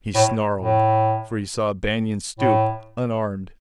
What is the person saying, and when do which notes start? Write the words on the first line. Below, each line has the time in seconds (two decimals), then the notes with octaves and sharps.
He snarled, for he saw Banion stoop, unarmed.
0.15 A2
0.59 A2
2.39 A2